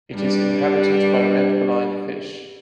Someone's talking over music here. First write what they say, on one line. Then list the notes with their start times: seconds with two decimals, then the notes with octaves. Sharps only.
It is inhabited by red blind fish.
0.13 G2 G3 D4